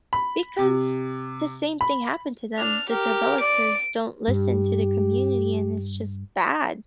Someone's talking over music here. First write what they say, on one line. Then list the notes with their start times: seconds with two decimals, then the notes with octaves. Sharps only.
because the same thing happened to them. The developers don't listen to the community, and it's, just, bad.
0.13 B5
0.59 C3
1.81 B5
2.59 D4 F6
2.90 G4 A#4
3.41 D5 D7
4.28 G2 G4